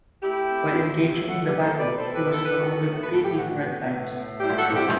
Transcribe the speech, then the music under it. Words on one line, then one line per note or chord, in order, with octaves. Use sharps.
While engaging in the battle, he was promoted three different times.
A3 E4 G4
C4
B2
E4
A3 F#4 A4
G4 B4
C4
A4 C5
B2 B4 D5
A4 C5
E4
G4 B4
E3 A4
B4
B3 F#4 A4
A2
B4
A2 A4
G4
E3 F#4
B3
A2
A2
G3 E4 G4
F#4 A4
C4
E4 G4